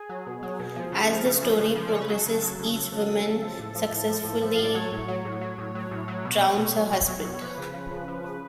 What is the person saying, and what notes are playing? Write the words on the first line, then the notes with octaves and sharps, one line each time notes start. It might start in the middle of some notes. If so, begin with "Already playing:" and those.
As the story progresses, each woman successively drowns her husband.
Already playing: G#4
F#3
B2
F#3
B2
F3
C#3
F3
C#3
F3
C#3
F3
D5
C#3 C#5
B4
F#3 A4
C#3
F#3
C#3
F#3
C#3
F#3
C#3
F3
A2
F3
A2
F3
A2
F3
A2 F5
D5
F#3 C#5
A2
F#3
A2
F#3
A2
F#3
A2
F#3
B2
F#3
B2
F#3
B2
F#3
B2
F3 B4
C#3
F3
C#3
F3
C#3